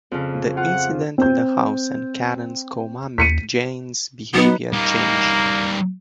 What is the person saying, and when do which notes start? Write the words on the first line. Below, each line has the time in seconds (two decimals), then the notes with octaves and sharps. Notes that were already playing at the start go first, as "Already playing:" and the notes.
The incident in the house and Karen's coma make Jane's behaviour change.
0.11 F2 C#3
0.57 F4 F#5
1.18 C4 G6
3.18 D#2 B6 C#7 D#7
4.35 F#3 B3 D#4 B4
4.73 G3 A#3 D#4